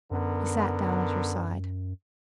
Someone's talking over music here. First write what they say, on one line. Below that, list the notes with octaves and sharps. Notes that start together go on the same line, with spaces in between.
He sat down at her side.
F#2 D3 B3 A#4